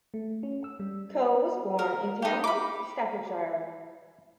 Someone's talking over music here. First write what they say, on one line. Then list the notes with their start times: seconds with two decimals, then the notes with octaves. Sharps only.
Coe was born in Tamworth, Staffordshire.
0.14 A3
0.43 C#4
0.64 E6
0.80 G3
1.79 A#4
2.22 D#4 G4
2.44 B5 D6